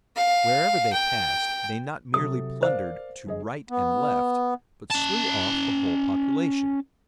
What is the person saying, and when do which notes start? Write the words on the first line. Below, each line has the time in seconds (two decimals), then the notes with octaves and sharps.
Wherever they passed they not merely plundered to right and left, but slew off the whole population.
0.16 F5
0.93 G5
2.14 C3 F#3 A4 D#6
2.63 A#4 C5 D5 F5
3.27 G1 G#4 D#5
3.70 B3
4.90 C#4 A5